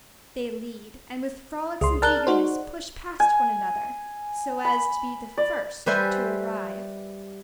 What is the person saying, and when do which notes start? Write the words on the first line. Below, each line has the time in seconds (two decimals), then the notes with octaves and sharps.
They lead, and with frolicsome eagerness push past one another, so as to be the first to arrive.
1.81 C#2 G#4 C6
2.02 A#4 D5 A5 F6 F#6 G7
2.27 D#4 F#4 C5
3.20 G#5
4.65 B5
5.37 D5
5.86 G3 B4 C5 E5 G#5